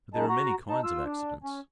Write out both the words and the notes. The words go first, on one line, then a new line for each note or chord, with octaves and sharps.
But there are many kinds of accidents.
F#2 G#3 D#4 A5
F#4 A#5
D#4 A5
F4 E6
D4
C#4